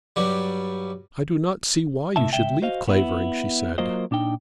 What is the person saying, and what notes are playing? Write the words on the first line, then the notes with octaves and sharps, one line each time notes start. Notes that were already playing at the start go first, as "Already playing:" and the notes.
"I do not see why you should leave Clavering," she said.
G2 F#3 G3
A2 C3 E5 A5
C#2 E5 G5
F#4 C5 D#5 F5
B3 E4
F#3 A#3 F4 A#4 C5 D#5
A#2 D4 D#4 G5